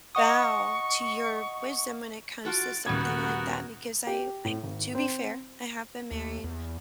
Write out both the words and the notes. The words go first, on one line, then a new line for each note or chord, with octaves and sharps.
bow to your wisdom when it comes to something like that because I I to be fair, I have been married
D#5 F#5 C#6 D#6
F4 F#4 A4 A6 D7
D#1 C#3 G3 B3 F#4 A#4 G#6
G4
A2
G#1
C4
D#2
E2